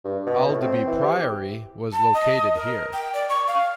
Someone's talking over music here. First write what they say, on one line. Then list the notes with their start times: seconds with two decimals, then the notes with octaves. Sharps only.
Aldeby Priory was located here.
0.05 G2
0.27 B2
0.48 A2
0.62 C4
0.87 E3
1.03 G4
1.92 A5
2.14 D#5
2.55 A#4
2.93 G5
3.13 D5
3.29 C#6
3.47 F5